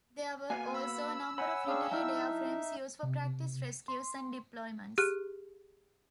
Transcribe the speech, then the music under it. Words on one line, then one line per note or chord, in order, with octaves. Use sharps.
There were also a number of retired airframes used for practice rescues and deployments.
A#3 B3 F#4 F5 G#5
B5 E6
C#5 F#5 G#5 B5
C#4 D4 G#4 F5 G5
F#3 D#4 E4 E5 A5 F6
C3
C6
G4 G#4 F6 F#6 D#7